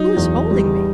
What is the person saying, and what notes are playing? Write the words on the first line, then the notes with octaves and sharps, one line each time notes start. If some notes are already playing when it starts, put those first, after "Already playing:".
Who is holding me?'
Already playing: F#3 D#4
E2
G3